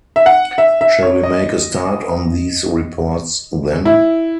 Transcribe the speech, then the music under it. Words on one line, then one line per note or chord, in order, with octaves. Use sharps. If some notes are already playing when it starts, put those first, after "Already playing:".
Shall we make a start on these reports then?
E5
F#5
E5
E5
C#5
D#5
E4